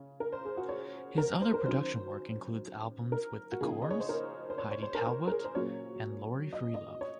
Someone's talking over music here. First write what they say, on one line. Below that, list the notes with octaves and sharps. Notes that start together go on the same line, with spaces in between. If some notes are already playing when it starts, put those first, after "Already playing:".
His other production work includes albums with The Corrs, Heidi Talbot, and Laurie Freelove.
Already playing: C#3 C#4
A#4
C5
G#4
F#4
C#5
A#4
C5
A#4
D#3 F#3 C#4 C5
A#4
F#4
C#3 F3 A#3 D#4 G#4
D#5
C#5
C5
A#4
C5
C#5
C#5
C5
A#4
A#4
A#4
G#4
C5
A#2 F#3 C#4 C#5
D#5
D#5
C#5